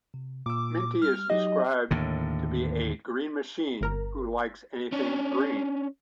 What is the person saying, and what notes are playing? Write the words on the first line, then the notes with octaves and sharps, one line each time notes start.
Minty is described to be a green machine, who likes anything green.
C3
A#2 D6 E6
G3 F6
F#3 D#4 G4 D#5
D#2 A2 D3
G1 A#4 A#5
C#4 D4